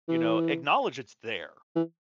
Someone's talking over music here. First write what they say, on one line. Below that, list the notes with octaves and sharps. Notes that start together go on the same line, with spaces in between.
You know, acknowledge it's there.
E3
E3